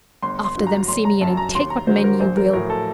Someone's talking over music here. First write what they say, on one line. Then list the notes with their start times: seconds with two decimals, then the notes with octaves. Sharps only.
"After them, Simeon, and take what men you will."
0.22 G1 C6
0.44 C6
0.56 G2 F#3
0.67 A#5
0.88 F#1 C6
1.05 A#5
1.21 F#2 F#3 A5
1.37 A#5
1.55 D#2 C6
1.70 A#5
1.87 D3 F#3 C5
2.04 A#4
2.20 A#1 C5
2.37 A#4
2.53 A2 F#3 A#4
2.70 A4